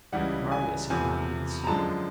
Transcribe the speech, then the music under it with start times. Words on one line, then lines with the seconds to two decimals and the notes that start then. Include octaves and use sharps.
Marius had not even seen him.
0.12 C#2 C#3 E3 G3 F#5
0.52 G#5
0.90 E2 C3 F3 A3 G#5
1.64 A#5
1.67 F#2 D3 F3 G#3 A5